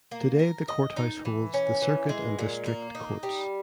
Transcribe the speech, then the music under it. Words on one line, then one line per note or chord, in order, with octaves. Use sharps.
Today the Courthouse holds the Circuit and District Courts.
A#3
A#4
D#5
D#4
E3
C#4
E3
G#3
A#2
A#3
D#4
G3